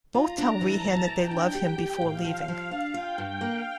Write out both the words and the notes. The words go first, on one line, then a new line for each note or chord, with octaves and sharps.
Both tell Rehan that they love him before leaving.
F4 A#5
D4
E3 A5
E3
E3 G5
D4
G4 G5
G4
A2 F5
F3
F3 F5
D4
F4 G5
G2
A#3 F5